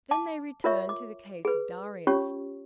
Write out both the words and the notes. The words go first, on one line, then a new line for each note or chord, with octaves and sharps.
Then they returned to the case of Darius.
A5 D6
F4 A#4 C#5 E5 C#6
D6
G#4 B4
C#4 F4 G4 C#5 C#6